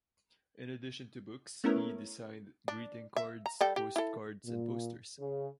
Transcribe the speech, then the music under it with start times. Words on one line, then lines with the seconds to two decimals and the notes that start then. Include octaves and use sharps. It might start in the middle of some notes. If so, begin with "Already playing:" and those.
In addition to books, he designed greeting cards, post cards, and posters.
1.64 A3 B3 C#4 E4 A#4
2.68 D4
3.16 E5
3.46 A#5
3.61 G3 A4 G5
3.76 G4
3.96 E4 A4
4.44 A#2
5.19 C#3